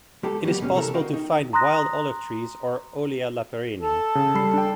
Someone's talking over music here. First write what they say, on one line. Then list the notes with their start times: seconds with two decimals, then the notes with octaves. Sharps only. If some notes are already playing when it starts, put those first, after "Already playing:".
It is possible to find wild olive trees, or "Olea lapperrini".
0.23 G#3 G4 A4
0.44 F#3 G3 A#3 B3 G4
0.60 D2 B2 G#3 C#4
0.74 C3 E3 G3 A4 A#4
0.94 F#4 A#4 D#5 F5 G5
1.14 D#4
1.53 A#5 C6 D#6 F#6 A#6
3.81 A4
4.15 C#3
4.35 G3 B5 C7
4.53 D4 G5